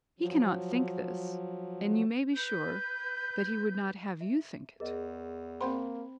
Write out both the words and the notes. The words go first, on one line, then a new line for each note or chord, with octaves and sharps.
He cannot think this--and you may be sure that he would not have you think it.
F3 F#3
B4 G6
E5
E2 G#4 A#4 D#5
A#3 C4 C5 F#5 G5 B5 C6